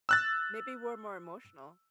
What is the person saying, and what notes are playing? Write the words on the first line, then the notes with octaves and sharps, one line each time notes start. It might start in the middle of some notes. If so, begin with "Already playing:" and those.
maybe we're more emotional.
E6 F#6 A6